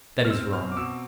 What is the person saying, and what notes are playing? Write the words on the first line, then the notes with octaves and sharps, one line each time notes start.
That is wrong.
F6
C4 E6
B2 F6
D6
B2 E6